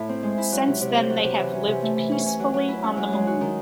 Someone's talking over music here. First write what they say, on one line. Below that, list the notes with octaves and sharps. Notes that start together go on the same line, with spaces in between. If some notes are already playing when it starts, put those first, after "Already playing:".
Since then they have lived peacefully on the Moon.
Already playing: A2 E4
C4
G#3
E4
F#3
C3
C3
C4
F#3
C3
E3
C#4
C3
A3
E3
C#4
C#4
F#3
F#3
E4
C#4
F#3
G#3
F#4
D#3